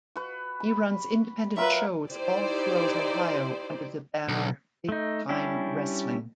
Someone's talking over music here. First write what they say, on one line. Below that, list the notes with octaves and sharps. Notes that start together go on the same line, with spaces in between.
He runs independent shows all throughout Ohio under the banner Big Time Wrestling.
F#4 B4
B5
F#3 F4 A#4 B4 E5
D#4 E4 G4 C5 D5
B1
A3 D#4
G3 C#4 D4 E4 G4